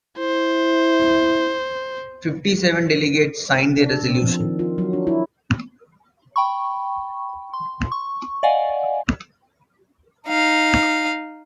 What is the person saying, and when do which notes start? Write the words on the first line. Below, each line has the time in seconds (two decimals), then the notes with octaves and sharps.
Fifty-seven delegates signed the resolution.
0.19 E4 C5
3.77 D4
3.90 A4
4.04 C4
4.22 F3
4.40 D#3
4.59 F4
4.78 F#3
4.93 D4
5.07 E4
6.36 G5 B5 C#6
7.53 C6
7.92 C#6
8.43 D5 D#5 F5 F#5 G#5
10.27 D#4 F5